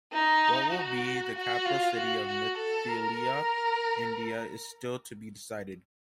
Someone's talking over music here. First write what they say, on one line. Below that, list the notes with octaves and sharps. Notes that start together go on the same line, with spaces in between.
What will be the capital city of Mithila, India is still to be decided.
D#4
F#4
F#4
F4
F#4
F#4
A4
A#4